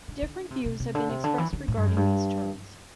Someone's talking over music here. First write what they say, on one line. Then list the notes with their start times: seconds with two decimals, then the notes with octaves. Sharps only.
Different views have been expressed regarding these terms.
0.08 D3
0.22 D3
0.51 C3
0.66 C3
0.80 C3
0.95 D3
1.09 C3
1.24 D3
1.38 E3
1.53 D3
1.68 A2
1.77 G2
1.87 F#2
1.97 G2